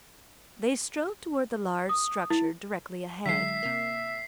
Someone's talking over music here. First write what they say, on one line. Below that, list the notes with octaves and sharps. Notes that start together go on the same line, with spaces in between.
They strode toward the large structure directly ahead.
D#6
E4
D3 F#3 G#3 E5 B6 C7
C3 A#3